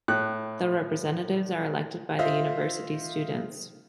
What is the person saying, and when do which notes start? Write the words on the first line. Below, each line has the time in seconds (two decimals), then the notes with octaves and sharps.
The representatives are elected by the university students.
0.08 A2 F#6
2.19 F4 C5 D#5 E5